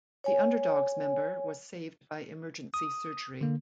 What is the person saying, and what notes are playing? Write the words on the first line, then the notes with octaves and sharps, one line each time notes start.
The Underdogs member was saved by emergency surgery.
C#5 G#5
D#6
D3 A#3